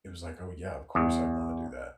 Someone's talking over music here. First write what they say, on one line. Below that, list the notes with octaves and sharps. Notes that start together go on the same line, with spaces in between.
it was like, "Oh yeah, of course I'd wanna do that."
E2